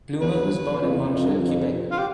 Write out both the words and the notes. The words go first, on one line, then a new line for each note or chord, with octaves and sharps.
Blumer was born in Montreal, Quebec.
E2 B4
G2
F2
E2
F2
G2
F2
F4
G4